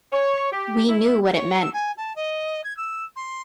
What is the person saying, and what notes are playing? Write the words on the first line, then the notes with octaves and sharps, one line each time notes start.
We knew what it meant.
C#5
G4
E4
C#5
E6
G#5
A5
D#5
G#6
E6
C6